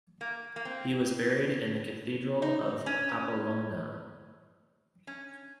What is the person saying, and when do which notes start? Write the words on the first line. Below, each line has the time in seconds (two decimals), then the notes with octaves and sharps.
He was buried in the Cathedral of Pamplona.
0.21 A#3
0.56 A#3
0.65 C4
2.42 D#4
2.86 C#4
5.07 C#4